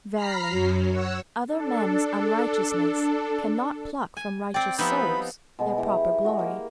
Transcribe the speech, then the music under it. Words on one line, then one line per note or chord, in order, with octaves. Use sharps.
Verily, other men's unrighteousness cannot pluck from righteous souls their proper glory.
A#5 B5 F6 B6 C7
F#2 F#3
C#5 F#5 E6
D4 A4
G#5
C4 D5 G5
F3 B3 D#4 G4 E5 B5
B2 G#3 B3
E3 G4 E5 A#5
G#3 F#4
A#3 A#4 G5